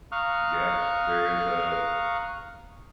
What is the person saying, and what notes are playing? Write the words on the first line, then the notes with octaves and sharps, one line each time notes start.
yes, there is a
F5 A#5 C#6 D#6 F6 F#6